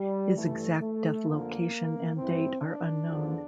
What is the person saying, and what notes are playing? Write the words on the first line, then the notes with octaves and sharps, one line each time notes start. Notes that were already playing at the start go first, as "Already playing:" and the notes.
His exact death location and date are unknown.
Already playing: G3
G2 E3 A3
A3
F2 D3 F3 A#3
G2 E3 C4
D4
E2 D3 F3